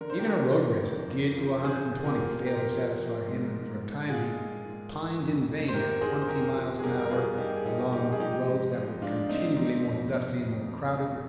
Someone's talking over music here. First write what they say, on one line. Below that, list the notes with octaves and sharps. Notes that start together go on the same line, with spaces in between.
Even a road-racer, geared to a hundred and twenty, failed to satisfy him, and for a time he pined in vain at twenty miles an hour along roads that were continually more dusty and more crowded with mechanical traffic.
D3 A#4
C5
G4 A#4
D3
F3
F2
F2
F3
A#2 G#4 C5
A#2
G4 A#4
F3
A#2 G4 A#4
F3
F3
G#2
G#2
G#2
G#2 F4 G#4
G#2
G#2
D#3
F2
F2
C5
D#3 G4 A#4
A#4
D#3 G#4 C5
C5
F2 G4 A#4
F3
G#4
G2 G4 A#4
A#4
G2 F4 G#4
G2 D#4 G4
G#4
F3 D#4 G4
G2 D#4 G4
G#4
F3 D#4 G4
G#2
F3
G#2 D4 F4
G#2 C4 D#4
F3 C4 D#4
F2
C3
F2
F2
C3